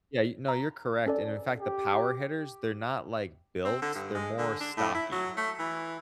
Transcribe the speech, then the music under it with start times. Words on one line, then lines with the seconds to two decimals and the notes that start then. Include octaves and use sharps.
Yeah, y no, you're correct and in fact, the power hitters, they're not, like, built, they're more stocky.
0.48 A#5
1.06 C#4 A4 D5
1.61 G4
3.65 C4
3.82 D3
3.95 G2
4.15 G#3
4.38 D3
4.61 D4
4.77 A2
4.95 E4
5.12 F#3
5.37 A3
5.59 E3